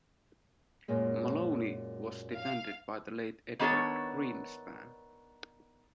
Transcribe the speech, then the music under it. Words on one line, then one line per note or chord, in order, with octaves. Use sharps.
Molony was defended by the late Edward Greenspan.
F#2 A#2 G#3
F5
D#3 B3 D4 A4 C#5